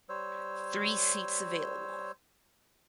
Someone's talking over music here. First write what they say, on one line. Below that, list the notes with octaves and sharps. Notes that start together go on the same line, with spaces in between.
Three seats available.
G3 C5 C#5 E6